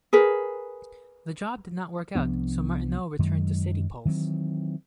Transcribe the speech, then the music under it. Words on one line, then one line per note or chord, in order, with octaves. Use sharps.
The job did not work out, so Martineau returned to City"Pulse".
G#4 A#4 B4
C2 F3 B3 D4
F#2 D#3 F#3 G#3
D#3 E3 F#3 C4